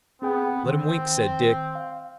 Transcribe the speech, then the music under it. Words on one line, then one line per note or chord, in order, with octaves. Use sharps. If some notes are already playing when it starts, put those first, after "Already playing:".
"Let 'em wink," said Dick.
B3 C4 G#4 G5
D#3 C4
F5